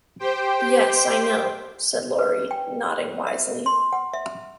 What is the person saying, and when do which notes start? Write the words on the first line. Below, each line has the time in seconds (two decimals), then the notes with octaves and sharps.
"Yes, I know," said Laurie, nodding wisely.
0.19 G4 C5 G5
2.19 B4
2.51 G5
3.27 E5
3.66 C6
3.93 F#5
4.14 E5